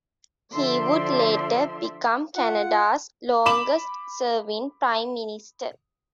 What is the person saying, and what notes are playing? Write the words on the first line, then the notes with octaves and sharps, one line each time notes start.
He would later become Canada's longest serving Prime Minister.
D3 F3 D5 E5 C6
F4 F#5
B5 D6 E7 F#7